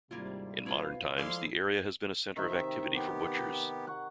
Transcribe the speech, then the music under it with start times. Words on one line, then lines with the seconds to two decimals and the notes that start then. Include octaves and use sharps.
In modern times, the area has been a center of activity for butchers.
0.11 G#1 G#2 C3 G3 A#3 E4 F4
0.66 B2 C4 E4 F4 B4 F5
1.17 F3 G#3 E4 A4 D5 F5 C6
2.36 C3 D#3 E5
2.95 B3 G4
3.87 F#5 C#6